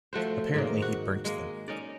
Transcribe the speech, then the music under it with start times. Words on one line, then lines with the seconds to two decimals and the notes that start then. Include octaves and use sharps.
Apparently he burnt them.
0.13 F3 A3 F#4 C5
0.54 G#2 D#3 A#3
0.82 F#4
1.25 G#3 A#3
1.68 C#4 D#4 A#4 D5